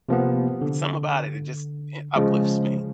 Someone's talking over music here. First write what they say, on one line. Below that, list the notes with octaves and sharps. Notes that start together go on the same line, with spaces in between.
It's something about it, it just, eh, uplifts me.
C3 F3 A#3 B3
D3
C#3 F3 G#3